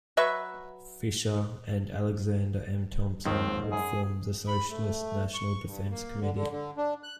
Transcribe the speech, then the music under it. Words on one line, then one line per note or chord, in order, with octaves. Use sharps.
Fisher, and Alexander M. Thompson, would form the Socialist National Defence Committee.
F#3 B4 E5 C#6
D#2 G#2 D#3 F3 C4
F#2 G#4
B5
A3
C#6
G2
A#3
D3
D3
D3
D4
F#6